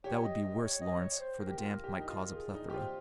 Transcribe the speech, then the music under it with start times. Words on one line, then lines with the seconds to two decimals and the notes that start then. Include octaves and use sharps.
"That would be worse, Lawrence, for the damp might cause a plethora."
0.04 G4 C#5
0.23 D#5
0.44 D#5
0.63 C#5
0.81 D#5
1.00 C#5
1.20 C5
1.39 A#4
1.47 G4
1.58 F4
1.84 G4
1.99 D#4
2.10 F4
2.35 G#4
2.54 D#4
2.70 G4
2.73 F4 C5